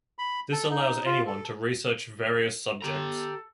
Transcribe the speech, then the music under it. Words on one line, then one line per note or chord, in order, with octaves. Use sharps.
This allows anyone to research various subjects.
B5
A4
D#4
F4
A4
G4 A4 A#5